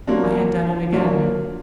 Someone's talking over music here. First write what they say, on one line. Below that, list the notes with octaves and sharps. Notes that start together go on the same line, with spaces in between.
I had done it again.
F#3 A#3 D4 F4
F#3 A#3 D4 F4